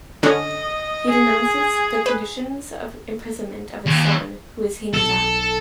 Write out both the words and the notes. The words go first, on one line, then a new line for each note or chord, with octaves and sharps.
He denounces the conditions of imprisonment of his son, who is handicapped.
D3 C#4 D#5
G#4
B4
D#2
B1 A4